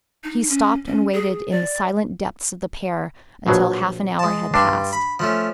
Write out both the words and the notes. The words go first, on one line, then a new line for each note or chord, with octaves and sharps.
He stopped and waited in the silent depths of the pear until half an hour had passed.
D#4
C#4
C#4
G#4
D5
A#1 B2 F#3
G#3 A5
G2 D4 C6
B5
F3 A3 C#4